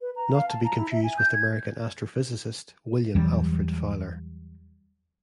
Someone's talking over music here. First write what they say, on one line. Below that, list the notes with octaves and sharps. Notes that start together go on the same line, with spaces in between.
Not to be confused with American astrophysicist William Alfred Fowler.
B4
A#5
F5
A5
A#5
E4
E5
G#5
G6
G#6
E2 E3 F#3 G3